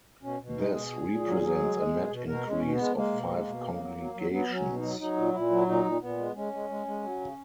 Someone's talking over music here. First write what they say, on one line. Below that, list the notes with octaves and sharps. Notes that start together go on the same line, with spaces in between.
This represents a net increase of five congregations.
B2 C#4
B2
G#3 D#4
B2 G#4
A#2
A#2
F#3
F#3
G#3
G#3
B2
B2
B2 A#4
G#3
C#4
B2
B3
G#3
G#3 A#3
B2
G#3
B2
C#3
F#3
F#3
F#3
F#3 B3
F#3
C#4
B2
D#4
F#3
F#3 D#4
A#2
A#2 E4
F#3
A#2 D#4
A#2
A#2 B3
G#3
G#3 C#4
G#3
G#3
G#3
F#3
C#3